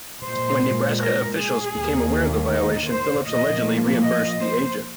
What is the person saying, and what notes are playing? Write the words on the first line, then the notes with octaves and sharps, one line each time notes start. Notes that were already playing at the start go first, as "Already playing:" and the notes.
When Nebraska officials became aware of the violation, Phillips allegedly reimbursed the agent.
A#2 G#3 C5
A#4
G#4
D#2 D#3 A#3
D#4
C5
A#2 F3 A#3 D#5
D#5
C5